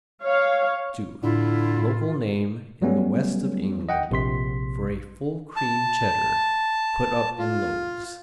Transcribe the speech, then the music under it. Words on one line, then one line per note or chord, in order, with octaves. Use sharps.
II: Local name in the West of England for a full cream Cheddar put up in loaves.
C#5 F5
A2 D3 E4 F4
F#3 G3 A3 B3 C#4
D#5 F#5 G5
A#1 C3 C6 B6
A5
F4